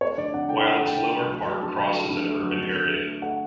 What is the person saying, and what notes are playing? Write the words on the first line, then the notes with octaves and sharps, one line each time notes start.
While its lower part crosses an urban area.
A3 C#5
D3 D5
D3 F#5
A3 G5
A3 F#5
A3
G5
A3
A3
F#3
F#3
D3 A5
F#3
A3
D3
A3
F#3
D3
D3
A3
A3
A3 F#5